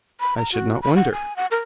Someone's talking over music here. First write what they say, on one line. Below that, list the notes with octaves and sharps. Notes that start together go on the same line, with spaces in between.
I should not wonder.
B5
A#5
F#4
B5
F#5
G#5
F#5
A#4